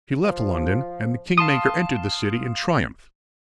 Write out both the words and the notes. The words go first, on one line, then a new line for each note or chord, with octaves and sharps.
She left London and the kingmaker entered the city in triumph.
F3
F5 A5 C6 D#6